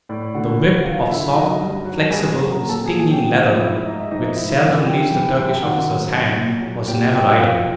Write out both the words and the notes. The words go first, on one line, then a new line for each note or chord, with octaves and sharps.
The whip of soft, flexible, stinging leather, which seldom leaves the Turkish officer's hand, was never idle.
A2 D5
D3 F#4 F#5
F#3
F#3 F4 F5
D3 E4 E5
E5
F#3 D#4 D#5
G2
F#3
A5
G2 G#4 G#5
F#3
A#4 A#5
A#2
A4 A5
A#2 G#4 G#5
G#5
F#3 G4 G5
F3 F4 F5
F5
G#2 E4 E5
G#2 D#4 D#5
E5
F3 D#4 D#5
G#2 E4 E5
E3 F4 F5
E3 G4 G5
E3 G4 G5
F#2 G4 G5
D#3 F#4 F#5
F#2
F#3
A#2
F#3
A#2 G4 G5
F#3 G4 G5
F3 F4 F5